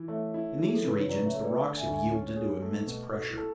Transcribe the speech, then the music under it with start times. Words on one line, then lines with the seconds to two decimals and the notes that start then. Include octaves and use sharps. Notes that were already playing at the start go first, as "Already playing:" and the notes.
In these regions the rocks have yielded to immense pressure.
Already playing: E3
0.08 A3 C#5 E5
0.34 E4
0.59 E3 G#4
0.74 A4
0.84 C#3 B4
0.98 C#5
1.09 F#3 B4 D5
1.26 C#5 E5
1.34 A3
1.43 B4 D5
1.60 D3 D5 F#5
1.77 E5 G#5
1.86 D2
1.94 E5 G#5
2.11 C#4
2.28 C#5
2.36 G#4
2.45 C#5
2.62 A3 A4
2.87 B2
3.12 F#4 A4
3.30 E4
3.38 A4